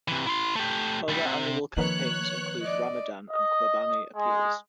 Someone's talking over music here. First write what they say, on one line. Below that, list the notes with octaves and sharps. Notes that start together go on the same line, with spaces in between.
Other annual campaigns include Ramadan and Qurbani appeals.
C3 E3
E4 C6
A3 G4
D2 G3
C3
D#3 F3 A#3 B4 C#5 F#6
D5 D#5
D#5
G#3